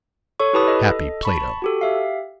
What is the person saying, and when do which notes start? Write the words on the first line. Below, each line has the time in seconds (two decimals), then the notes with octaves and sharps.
Happy Plato!
0.40 A4 C#5 C#6
0.53 E4 G4 B4 A5 B5 D#6
0.68 A4 D#5
1.23 A5 B5 C#6
1.62 F#4 G4 A4
1.81 G4 E5 F5